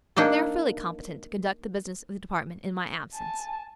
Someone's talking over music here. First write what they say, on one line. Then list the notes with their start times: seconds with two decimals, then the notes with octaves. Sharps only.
They are fully competent to conduct the business of the department in my absence.
0.16 A#3 D4 D#4 A4
3.14 G#5 A5